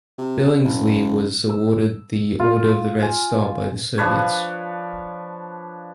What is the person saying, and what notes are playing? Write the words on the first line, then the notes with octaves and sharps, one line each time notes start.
Billingslea was awarded the Order of the Red Star by the Soviets.
C3
F#1
E6
F4
G#5
F3 D4 B4 C#5